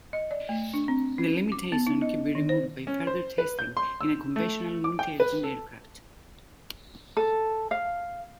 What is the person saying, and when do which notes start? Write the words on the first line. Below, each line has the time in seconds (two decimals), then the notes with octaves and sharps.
The limitation can be removed by further testing in a conventional multi-engine aircraft.
0.13 D#5
0.31 D5
0.49 A3
0.74 D4
0.88 C4
1.18 C#4
1.52 D6
1.72 B3
1.87 D#4
2.02 D#5
2.35 D#3
2.49 C5
2.87 C#4
3.07 C5
3.38 B4
3.59 G6
3.77 C6
4.01 E6
4.36 A3
4.84 D6
4.99 G5
5.20 B4
5.43 A4
7.17 A4
7.71 F5